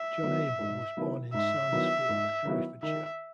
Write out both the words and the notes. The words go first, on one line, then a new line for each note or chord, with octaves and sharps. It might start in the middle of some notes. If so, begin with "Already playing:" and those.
John Abel was born in Sarnesfield, Herefordshire.
Already playing: E5
D#3 F#3 B3 E4
G#2
D#3 F#3 B3 E4
G#2 E5
D#3 F#3 B3 E4
G#2
D#3 F#3 B3 E4
D#3 E5